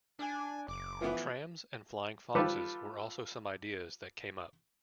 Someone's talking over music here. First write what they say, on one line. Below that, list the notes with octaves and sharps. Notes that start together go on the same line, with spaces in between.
Trams and Flying Foxes were also some ideas that came up.
D4 G#5
F#1 D6
E3 F3 B3
G3 F4 G4 A4 B4